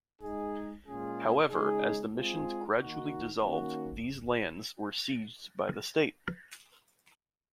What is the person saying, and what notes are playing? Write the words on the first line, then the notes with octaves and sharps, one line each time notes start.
However, as the Mission gradually dissolved, these lands were seized by the state.
G#3 D#4 G#4
A#2 G#3 C#4 F4 G#4
C#3 G#3 D#4 G#4
G#3 C4 F4 G#4
D#3 A#3 D#4 F#4
D#3 A#3 C#4 F#4